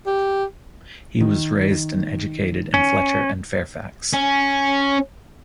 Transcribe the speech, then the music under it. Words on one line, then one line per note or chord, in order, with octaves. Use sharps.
He was raised and educated in Fletcher and Fairfax.
G4
D#3
C#4
C#4